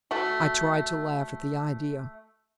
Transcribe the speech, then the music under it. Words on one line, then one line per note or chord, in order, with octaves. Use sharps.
I tried to laugh at the idea.
A3 F#4 A4